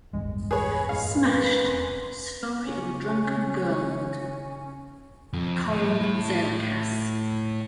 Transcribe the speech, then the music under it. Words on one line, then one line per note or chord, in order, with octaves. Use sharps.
"Smashed: Story of a Drunken Girlhood", Koren Zailckas.
A1 E2 G2 G#3
B2 G#4 B4 C#5
F#2 A2 G#3 F5
G#1 B4
E1 C4 G#5 C6
C#3 C#4
F2
A2